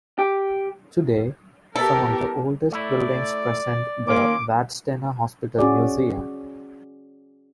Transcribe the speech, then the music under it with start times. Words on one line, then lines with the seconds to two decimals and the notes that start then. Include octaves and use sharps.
Today, some of the oldest buildings present the Vadstena Hospital Museum.
0.19 G4
1.76 B3 E4 G4 A4 A#4 A5
2.72 A3 E4 D5
4.07 D#3 A#3 C#4 F4 D6
5.58 C#4 F#4 G#4 D5